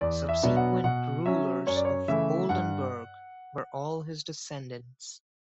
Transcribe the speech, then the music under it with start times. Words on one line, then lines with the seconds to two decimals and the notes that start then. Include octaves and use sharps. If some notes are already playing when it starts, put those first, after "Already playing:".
Subsequent Rulers of Oldenburg were all his descendants.
0.01 E2 D5
0.29 E5
0.42 B2 F#3 B3 D4
0.56 F#5
0.84 B2 F#5
1.25 F#3 C#4 E5
1.67 F#2 C#5
1.76 D5
1.85 C#5
2.08 C#3 E3 A3 E4 E5
2.49 G2 F#5